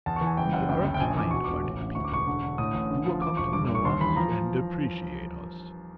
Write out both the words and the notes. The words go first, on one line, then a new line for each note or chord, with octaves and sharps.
We are kind-hearted people, you will come to know us and appreciate us.
E2 A5
E3 C#6
G#5
F#1 G5
F#1 F#5
D2 G5
D2
G5
A#1 G#5
E3 D6
B2 C#6
E1 D6
A1
A1
D2 C#6
D6
E1 C#6
D3
D3
A2 D#6
A1
D3
F3
F3 D6
E1 C#6
G2 D6
D6
G2 C#6
D#2 C6
E3 B5
F3 A#5